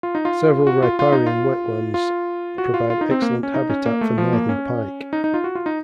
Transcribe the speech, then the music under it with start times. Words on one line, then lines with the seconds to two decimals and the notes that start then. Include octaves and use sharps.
Several riparian wetlands provide excellent habitat for northern pike.
0.03 F4
0.15 D#4
0.25 F4
0.67 F#4
0.83 F4
0.99 F4
1.12 D#4
1.26 F4
1.94 F4
2.58 F#4
2.74 F4
2.90 F4
3.01 D#4
3.11 C4
3.22 A#3
3.43 C#4
3.54 D#4
3.70 C#4
3.86 A#3
4.01 A3
4.18 F3
4.33 A#3
4.49 C#4
5.13 D#4
5.24 D#4
5.34 F4
5.44 F#4
5.55 F4
5.66 D#4